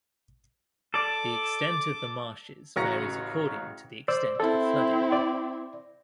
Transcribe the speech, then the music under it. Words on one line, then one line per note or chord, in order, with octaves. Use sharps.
The extent of the marshes varies according to the extent of flooding.
A4 D5 D6
A1 C#3 F#4 A#5 A#6 C#7
C5 D5 E6
C4 E4 A4
D5